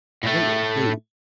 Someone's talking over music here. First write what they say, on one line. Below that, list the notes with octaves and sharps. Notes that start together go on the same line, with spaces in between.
I think, eh, they
A2 A3